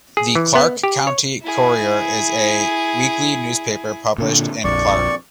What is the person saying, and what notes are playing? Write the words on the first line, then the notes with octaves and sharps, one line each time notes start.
The "Clark County Courier" is a weekly newspaper published in Clark.
G#4
E3
B3
G4
C#5
E4 G#4
A#2 D3
A#1 F2 D5 C#6